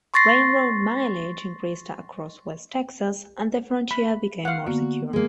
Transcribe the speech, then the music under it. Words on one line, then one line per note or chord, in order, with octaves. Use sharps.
Railroad mileage increased across West Texas, and the frontier became more secure.
C6 C#6 A6 A#6 C7
B5
F5 F#5
D3 A#3 B3 F#4
G#3 A#3